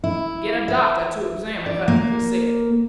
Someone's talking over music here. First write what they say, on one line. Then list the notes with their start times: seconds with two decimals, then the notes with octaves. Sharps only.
"Get a doctor to examine her," he said.
0.04 E4
0.68 E5
1.66 D5
1.88 A#3